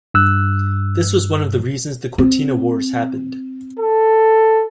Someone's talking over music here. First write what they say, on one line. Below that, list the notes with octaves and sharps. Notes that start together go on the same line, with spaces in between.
This was one of the reasons the Cortina Wars happened.
G2 E6 F#6
C4
A4